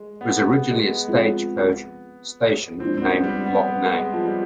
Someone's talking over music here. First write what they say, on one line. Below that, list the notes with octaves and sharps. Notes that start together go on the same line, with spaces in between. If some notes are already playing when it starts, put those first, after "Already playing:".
It was originally a stagecoach station named Locknane.
Already playing: G#3
B3
G#3
B3
F3 G#3 C4 F4 G#4
F3 G#3 C4 D4
C4
B3
G3
B3
B3
G#3
F3
G3